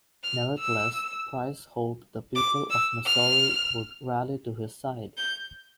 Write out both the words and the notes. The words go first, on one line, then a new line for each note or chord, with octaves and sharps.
Nevertheless, Price hoped the people of Missouri would rally to his side.
F6
E6
D6
E6
F6
G6